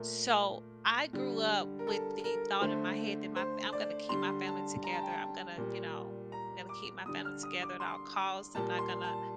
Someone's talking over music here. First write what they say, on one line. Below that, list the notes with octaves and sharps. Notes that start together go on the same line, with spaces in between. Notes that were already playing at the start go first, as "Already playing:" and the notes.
So I grew up with the thought in my head that my fa I'm gonna keep my family together. I'm gonna, you know, I'm gonna keep my family together at all costs. I'm not gonna
Already playing: A#2 A3 A#4
D3 G3
A#4
A4
A#4
D3 A3 C5
C5
D5
D3 G3 C6
A5
A#5
A5
G5
A5
A#2 G3
A#5
D6
D3 G3 D#6
F6
D#6
D6
C6
A#2 G3 A5
C6
A5